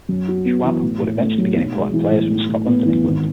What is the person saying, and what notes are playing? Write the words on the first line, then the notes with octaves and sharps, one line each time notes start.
Schwab would eventually begin importing players from Scotland and England.
F#2
F#4
B3
E3
A2
A2
A3
F#3
B1
G#3
E3
A2
A2
A2
B3
E3
G#1